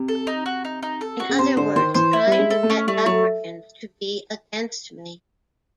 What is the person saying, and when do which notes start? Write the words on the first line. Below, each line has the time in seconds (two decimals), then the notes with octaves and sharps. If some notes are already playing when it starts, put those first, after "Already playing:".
In other words, trying to get Africans to be against me.
Already playing: C3
0.08 A4
0.27 D#4
0.46 F#4
0.65 D#4
0.83 D#4
1.01 A4
1.20 F#4
1.29 C#3
1.39 C3 C5
1.57 D3 C5
1.76 D#3 C5
1.94 E3 C5
2.13 E4
2.27 G3
2.32 E4
2.39 G#3
2.50 A4
2.63 A3
2.70 C#4
2.87 G3 A3
3.06 F#3 A3